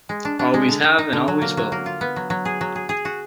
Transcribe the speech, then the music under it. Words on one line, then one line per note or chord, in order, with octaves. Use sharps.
Always have and always will.
G#3
D4
D4
G#3
D3
D#4
D#4
D3
F#3
A#3
F#3
A#3
F4
B3
F#3
F#3
G#4
F#3
G#4
G#4
F#4